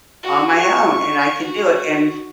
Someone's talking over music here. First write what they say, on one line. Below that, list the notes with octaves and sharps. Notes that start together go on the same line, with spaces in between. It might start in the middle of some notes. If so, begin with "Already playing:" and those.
On my own, and I can do it, and
F#4
C#6
F#4